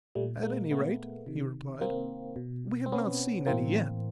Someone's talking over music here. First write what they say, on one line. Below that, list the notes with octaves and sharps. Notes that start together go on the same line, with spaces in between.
"At any rate," he replied, "we have not seen any yet."
A#2 G3 A3
G#3 A#3
A3 B3
C3 D#3
A#3 C4
B2
C4
B3 C#4
A2 E3 A#3 C4